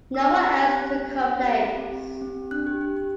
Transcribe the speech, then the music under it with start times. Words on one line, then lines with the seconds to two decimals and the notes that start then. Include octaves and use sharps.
No one else took her place.
0.14 C4 E6
0.29 G4
0.44 C4
0.59 G4
0.74 G4 F#6
0.88 C4
1.03 G4
1.18 C4
1.34 G4
1.48 G4
1.63 C4
1.77 C4
1.92 G4
2.08 G4
2.21 C4
2.37 G4
2.51 D4 F#6
2.67 G4
2.81 G4
2.97 G4